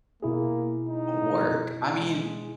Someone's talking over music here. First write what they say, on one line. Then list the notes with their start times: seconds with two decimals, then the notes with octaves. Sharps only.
work. I mean,
0.23 B2 A#3 E4 G#4
0.88 D#4
1.97 G#3